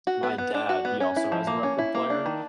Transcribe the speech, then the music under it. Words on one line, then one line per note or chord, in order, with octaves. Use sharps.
my dad, he also has a record player,
F#4
B3
B3
D4
F#4
B3
C#4
E4
F3
A#3
C#4
E4
A#3
D4
D#3